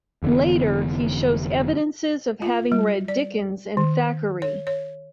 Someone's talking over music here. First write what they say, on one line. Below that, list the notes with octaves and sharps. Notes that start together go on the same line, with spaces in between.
Later he shows evidences of having read Dickens and Thackeray.
F1 D3 E3 B3
F4
G3
D5
D#3
C#5
C#5